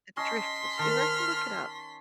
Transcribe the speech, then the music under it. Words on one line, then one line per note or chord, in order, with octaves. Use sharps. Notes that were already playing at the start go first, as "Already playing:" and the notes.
The Driftless, you'll have to look it up.
C#4 D#5 A5 C6 B6
D#3 C5 A5 F6